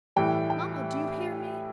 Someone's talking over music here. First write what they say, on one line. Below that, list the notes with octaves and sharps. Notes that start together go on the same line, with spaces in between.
Mamma! do you hear me?
A2 E3 G3 G5
G5